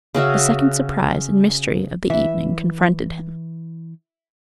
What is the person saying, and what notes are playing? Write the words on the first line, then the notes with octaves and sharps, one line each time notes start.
The second surprise and mystery of the evening confronted him.
C#3 C#4 F#4 E5
E3 E5